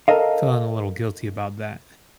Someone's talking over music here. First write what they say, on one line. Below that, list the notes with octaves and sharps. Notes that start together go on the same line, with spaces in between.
feeling a little guilty about that.
A4 A#4 D#5 F5